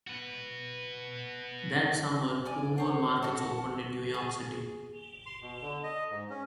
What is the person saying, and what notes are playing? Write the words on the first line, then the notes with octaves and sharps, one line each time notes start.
That summer, two more markets opened in New York City.
F#4 B4
D5 G#5
C5 C#5
F#4 A4
G#4
C6
B2
D3
D#5
G#2
C#4